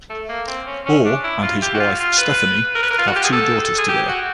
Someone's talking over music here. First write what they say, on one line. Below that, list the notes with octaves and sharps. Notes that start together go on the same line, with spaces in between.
Orr and his wife Stephanie have two daughters together.
A3
A#3
C4
C#4
C#4
D4
E4
F4
G4
F#4
F4
F4
B4
A#4
B4
A#4
F4
F#4
G4
G#4
A4
G#4
G4
F#4